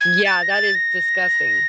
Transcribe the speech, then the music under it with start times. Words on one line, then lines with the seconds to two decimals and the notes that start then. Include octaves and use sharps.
Yeah, that is disgusting.
0.01 G#6
0.25 A6
0.43 A#6
0.50 A6
0.75 A#6